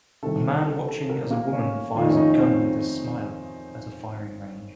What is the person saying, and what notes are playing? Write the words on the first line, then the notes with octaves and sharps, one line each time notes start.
A man watching as a woman fires a gun with a smile at a firing range.
C2 C3 D#3 A4
A4
A4
A#4
A#3
C#4
F2 D#3 A3 F4
D#4
C#4
D#4
C#4
C4